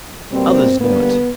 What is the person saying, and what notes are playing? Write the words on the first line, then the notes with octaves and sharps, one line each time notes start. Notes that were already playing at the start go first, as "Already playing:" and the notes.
Others know it.
B2 G3 A#3 C4
G2 D3 G3 A#3 B3